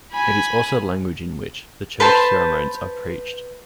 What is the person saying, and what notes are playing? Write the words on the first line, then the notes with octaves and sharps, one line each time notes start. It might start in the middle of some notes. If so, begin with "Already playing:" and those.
It is also the language in which the church sermons are preached.
G#5 B5
B4 C5 A5 C6